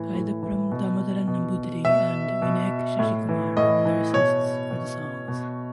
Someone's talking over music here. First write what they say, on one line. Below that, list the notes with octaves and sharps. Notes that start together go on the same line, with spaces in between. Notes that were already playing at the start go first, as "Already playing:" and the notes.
Kaithapram Damodaran Namboothiri and Vinayak Sasikumar are the lyricists for the songs.
Already playing: A2 E3
A2
E3
B2
B2
B2 E5
B2
A2
E3
A2 D#5
E3
B2 C#5
B2
B2